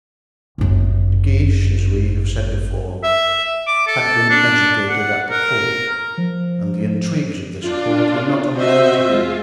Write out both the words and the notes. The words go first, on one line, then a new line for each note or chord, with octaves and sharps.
De Guiche, as we have said before, had been educated at the court, and the intrigues of this court were not unknown to him.
G1 F#2
E5
D6
A4
D4
F#5
A#4
F3
D4 F4
C4 F#4 C5 D#5 E5
G#3 F4